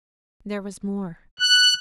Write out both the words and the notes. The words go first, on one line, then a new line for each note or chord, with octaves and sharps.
There was more.
F#6